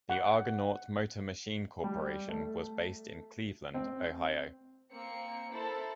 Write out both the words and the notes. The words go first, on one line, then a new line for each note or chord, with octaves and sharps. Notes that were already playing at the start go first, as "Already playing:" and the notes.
The Argonaut Motor Machine Corporation was based in Cleveland, Ohio.
F#5
G3
A3
C4
A#3 C4 C#7
E4 A4 A#4 C5 A5